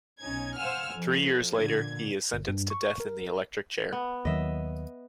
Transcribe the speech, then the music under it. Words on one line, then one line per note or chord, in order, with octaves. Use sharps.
Three years later, he is sentenced to death in the electric chair.
B1 C#4 D#4 G#6
C5 F5 F#5 G#5 E6 F6
F2 F3
A#2 D3 G#6
G1
G2
C#6
A#4
B3
D#2 D#3 F#3 D#5 E5